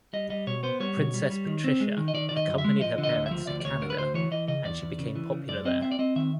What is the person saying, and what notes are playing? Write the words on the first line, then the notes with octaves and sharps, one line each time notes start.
Princess Patricia accompanied her parents to Canada, and she became popular there.
G3 D#5
G3 D#5
B2 C#5
B3 C5
G3 C#5
B2
G3
G3
D#3
C4
G#3
D#3
D#5
D#3 D5
D#3 D5
D#5
F#2
E5
G#3
F3 D#5
D3
D#5
D2
E5
F3
D2 D5
D5
D2 C#5
D3 A#4
B4
D2 C5
E3 C#5
E3 D#5
C#3 D#5
E2 D5
E2
C#3
E3
C#3
F#2 D5
C4 D#5
C4 E5
D5
C4 D#5
D#3 E5